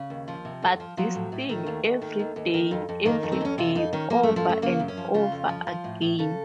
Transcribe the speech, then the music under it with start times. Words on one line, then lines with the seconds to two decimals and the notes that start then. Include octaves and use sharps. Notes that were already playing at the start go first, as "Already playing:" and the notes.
But this thing-every day, every day, over and over again.
Already playing: C#3
0.10 D#2
0.28 F3
0.45 C3
0.62 F2
0.80 F3
0.97 F3 F#3
1.15 A2
1.32 A2
1.49 D#3 A3
1.66 D#2
1.84 D#2
2.02 D#3
2.19 D#2
2.36 D#2
2.54 D#3
2.71 F2
2.89 F2
3.05 D#3 A#3
3.23 F2
3.32 C4
3.41 F2 C#4
3.58 C3 F4
3.75 F2 D#4
3.93 D#3 C#4
4.10 F3 A#3
4.23 A3
4.28 F#2
4.36 F3
4.45 F#2 A3
4.62 C#3 A#3
4.80 F#2
4.88 C#4
4.97 F3
5.14 C#3 F4
5.32 F2
5.49 F3
5.67 F3
5.84 A2
6.01 A2
6.18 C#3 A4